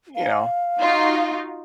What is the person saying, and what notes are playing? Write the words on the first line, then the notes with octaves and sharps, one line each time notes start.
you know,
F5
D#4 F4 F#4